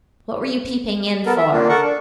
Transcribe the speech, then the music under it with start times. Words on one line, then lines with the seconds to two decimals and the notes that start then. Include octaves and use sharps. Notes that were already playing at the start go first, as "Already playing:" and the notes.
"What were you peeping in for?"
1.26 B3 A4 A#4
1.37 E5
1.52 A#3 D4 F4
1.69 A4 A#4 F#5 C#6
1.83 D4